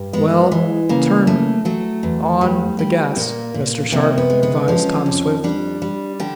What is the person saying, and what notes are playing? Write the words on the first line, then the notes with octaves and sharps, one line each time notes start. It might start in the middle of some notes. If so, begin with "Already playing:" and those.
"Well, turn on the gas, Mr. Sharp," advised Tom Swift.
Already playing: G2
G#3 B3
E3
C#3 A#3
A3
F#3 A3
E2
G3
G3
A#2 A#3
A#2
C3 A#3
B3
G#3
B3
F3 C#4
F2
G3 D4
G3
D3 G4